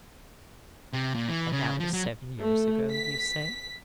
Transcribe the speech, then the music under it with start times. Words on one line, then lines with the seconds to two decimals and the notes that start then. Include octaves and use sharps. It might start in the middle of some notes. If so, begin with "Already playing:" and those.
'And that was seven years ago, you say?'
0.93 C3
1.15 A#2
1.29 E3
1.52 C#3
1.80 F3
1.93 F#3
2.40 A3
2.90 B6